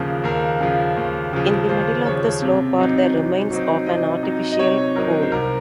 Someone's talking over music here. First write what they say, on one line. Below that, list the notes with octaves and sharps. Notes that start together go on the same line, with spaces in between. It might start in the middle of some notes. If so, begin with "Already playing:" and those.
In the middle of the slope are the remains of an artificial pool.
Already playing: D#2 C#3 F3 A#4
D#2 A#4
C#3 F3
D#2
C#3 F3
D#2 C5
C#3 F3 C#5
C3
F#3 C4 D#4
C3
F#3 C4 D#4
C3 D#5
F#3 C4 D#4
D#5
C3 C#5
F#3 C4 D#4 A#4
C5
C2 A#4